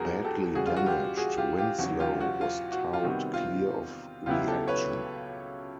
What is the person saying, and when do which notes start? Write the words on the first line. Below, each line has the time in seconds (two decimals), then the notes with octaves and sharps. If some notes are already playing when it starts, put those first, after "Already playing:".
Badly damaged, "Winslow" was towed clear of the action.
Already playing: E2 B2 F#3 D4 F#4 G#4 A#4
0.24 G4 A4
0.55 C#3 E3 G3 F#4 G#4
0.66 F4
0.76 F#4
0.86 F4 G4
1.17 F#4 G#4
1.37 F4 G4
1.58 F4 G4
1.79 E2 C#3 F#3 F#4
1.99 F4 G4
2.20 F#4
2.41 F4
2.72 F#4
2.93 F4
3.03 C3 D#3 G3 B3 F#4
3.34 F4
4.26 C#2 C#3 F#3 B3 E4 F4 G4
4.47 G4 A4
4.68 B4 C#5